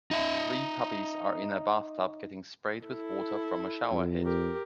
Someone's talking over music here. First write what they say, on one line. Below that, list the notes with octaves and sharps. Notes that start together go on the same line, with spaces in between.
Three puppies are in a bathtub getting sprayed with water from a showerhead.
D#4 E5
E4 A4
F2
G4 A#4